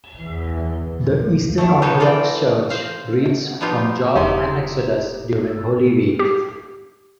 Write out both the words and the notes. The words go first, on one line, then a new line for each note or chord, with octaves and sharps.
The Eastern Orthodox Church reads from Job and Exodus during Holy Week.
E2 E3
D#3 A3
D#4 F4 G4 A4 B4 C#5
E3 F4 D5 G5
C5 F5
F3 B3 D#4 F4 G4
E1 C3 D#4 E4 G4
G4